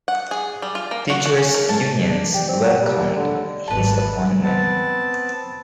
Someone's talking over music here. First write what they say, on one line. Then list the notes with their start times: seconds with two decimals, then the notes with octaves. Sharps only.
Teachers unions welcomed his appointment.
0.08 F#5
0.31 G#4
0.62 G3
0.75 F4
0.91 A#3
1.10 F#4
1.26 F#4
1.38 C#4
1.54 A#4
1.69 A5
2.10 D4
2.34 G4
2.49 C4
2.64 F#3
2.81 G3
3.16 D3
3.68 G#1 B4 A5
4.43 B3 C4 A5